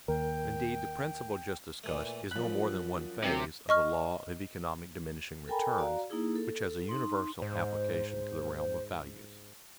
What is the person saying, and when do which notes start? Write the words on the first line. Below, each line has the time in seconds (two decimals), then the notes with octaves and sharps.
Indeed, the principle just discussed is no more than one phase of the law of economic diminishing returns, which has a universal application to the realm of values.
0.08 D#2 A#4 G5
1.84 A#2 E3 A3
2.31 F#2 F3 B5 F#6
3.24 F#2 C3
3.69 D#5 C#6 F6
5.48 A4 A#4 G5 G#5 A#5 B5
5.78 F#4 D5 F5 A#5
6.10 A#3 D#4 E4 G#4
6.36 A4
6.89 D#4 C6
7.42 G#2 C5